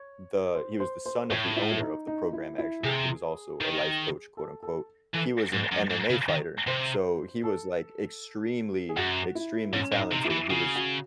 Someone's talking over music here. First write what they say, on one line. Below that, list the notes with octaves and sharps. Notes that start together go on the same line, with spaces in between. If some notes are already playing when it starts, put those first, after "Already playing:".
the he was the son of the owner of the program, actually. He was also a "life coach", quote unquote. He was an MMA fighter. So, he was, like, extremely, extremely talented, and he was
Already playing: C#5
C5
C5
C5
A2 C#5
E4
E4
D#4
D#4
E4
E4
C3 G#4
D#3
A4
A4
E3 A4
G#2
F#2
G#2
C#3
D#3
C3 C5
A4
G#4
F#2 F#4
E4
G#2 C#4
A2
D#4
C3
E4
E3
C#3 F#4
F#4